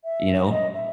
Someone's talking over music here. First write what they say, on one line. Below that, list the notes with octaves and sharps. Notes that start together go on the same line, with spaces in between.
You know,
E5
D#5
E5